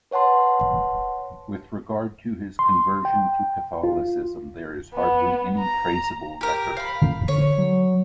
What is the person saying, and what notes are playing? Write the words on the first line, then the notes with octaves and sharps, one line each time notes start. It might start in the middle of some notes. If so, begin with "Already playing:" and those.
With regard to his conversion to Catholicism there is hardly any traceable record.
B4 C#5 F#5 A5 C6
C6
G5
F4
B3
A#5
G4 A#4
F5 B5
D3 C#5
F#3